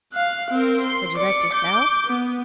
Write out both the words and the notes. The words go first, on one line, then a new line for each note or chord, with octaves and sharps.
"Would you like to sell?"
F5 F#6
C4 A#4
C6
D5 C#7
D6 G6
B3